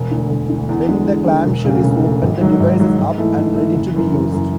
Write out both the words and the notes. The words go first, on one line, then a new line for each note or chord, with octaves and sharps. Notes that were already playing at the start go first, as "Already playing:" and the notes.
When the clamshell is open, the device is up and ready to be used.
Already playing: E1
D2 D3
E1
D2 D3
E2
D3 G#3
E2
D3 G#3
E1
D2 C#3
E1
D2 C#3
G#1
G#2 F#3
G#1
G#2 F#3
G#2
E3 A3
G#2
E3 A3
F#1
F#2 E3
F#1
F#2 E3